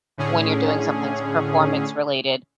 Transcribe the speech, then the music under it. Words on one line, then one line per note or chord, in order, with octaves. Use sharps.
when you're doing somethings performance-related.
A2 D3 C#4 G#4